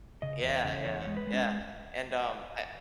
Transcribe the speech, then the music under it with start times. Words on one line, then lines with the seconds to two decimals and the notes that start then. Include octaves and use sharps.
Yeah, yeah, yeah, and, um, I
0.22 C#3 D#5
0.43 E2
0.64 C#3
0.85 E2 C#5
1.02 C#5
1.07 G#3
1.17 B4
1.27 G#3
1.33 C#4